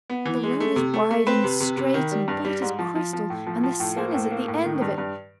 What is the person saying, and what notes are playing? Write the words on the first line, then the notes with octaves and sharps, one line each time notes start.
The road is wide and straight and bright as crystal, and the sun is at the end of it....
B3
E3
G#3
A3
C3
A3
A3
C4 B4
C3
C3
C3
D#3
G3
G2
G3
G#2
F3
F3
F3
A2
F3
F3
A2
A#3 C5
A2
A#3
A2
D#3
G2
G2